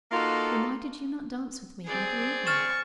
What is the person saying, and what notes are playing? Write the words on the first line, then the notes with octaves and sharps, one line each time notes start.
"Then why did you not dance with me the other evening?"
A#3 D#4 F4 F#4 A4
C4 G#4 D5
C#6 F6 A6 E7